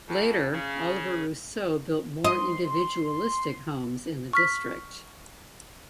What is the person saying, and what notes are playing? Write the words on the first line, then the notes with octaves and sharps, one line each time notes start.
Later, Oliver Rousseau built more individualistic homes in the district.
F2
C#3
D#5 C6
C#6 F6 B6